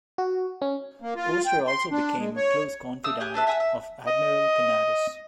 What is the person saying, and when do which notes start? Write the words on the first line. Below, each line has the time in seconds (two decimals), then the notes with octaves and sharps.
Oster also became a close confidant of Admiral Canaris.
0.18 F#4
0.62 C#4
1.02 A#3
1.15 F4
1.46 G5
1.67 C6
1.91 D4
2.18 G#3
2.37 C#5
3.04 A3 F5 D#6 E6
3.21 G4 G#5 F#6
3.34 D4 A4 B4 E5
3.47 E5 F#5 G#5 E6
3.60 E5
4.07 D#5